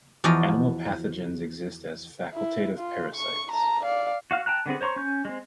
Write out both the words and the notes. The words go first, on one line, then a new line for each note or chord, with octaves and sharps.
Animal pathogens exist as facultative parasites.
E2 F3 F#4 D5 D#5 F5
E4
F4
C#6
A5 A#5
D5 F5
F#4 F5 F6
G5 A5 A#5 F#6
D3 B3 C4 G#4
C5 C#5 A#5 C6 C#6
C#4 G6
G#3 C4